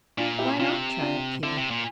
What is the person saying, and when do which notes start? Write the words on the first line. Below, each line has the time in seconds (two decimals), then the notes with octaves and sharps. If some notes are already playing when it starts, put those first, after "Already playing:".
Why not try it, Kitty?
0.18 A#2 D4 F4
0.39 E4 G4
0.59 C3 D4 F4
1.01 D4 F4
1.43 D3 C4 E4
1.57 C3
1.71 A#2